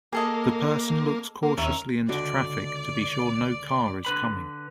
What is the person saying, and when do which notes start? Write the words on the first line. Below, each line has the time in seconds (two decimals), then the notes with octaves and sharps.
The person looks cautiously into traffic to be sure no car is coming.
0.13 A#3 G#4 A4 D#5
1.43 A#3
1.58 D#2 C#4 A#4 E5
2.08 C#2 D3 F#4 D5
4.05 D3 B4 B5